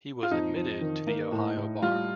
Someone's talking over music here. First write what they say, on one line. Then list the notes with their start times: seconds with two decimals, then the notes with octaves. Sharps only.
He was admitted to the Ohio bar.
0.23 F4
0.31 F2 D#4
0.56 F2
0.81 D#3
1.07 A#3
1.32 A2
1.57 A2
1.82 G3 F4